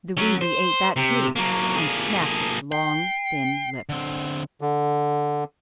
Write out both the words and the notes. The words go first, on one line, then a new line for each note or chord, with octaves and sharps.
The Woozy ate that, too, and smacked its long, thin lips.
F#3 C#4
C5
C3
F#3 A#3
A#3 G#4
G5 C7
D3 C4
D3